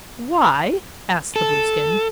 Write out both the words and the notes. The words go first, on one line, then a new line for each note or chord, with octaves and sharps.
"Why?" asked the Blueskin.
A4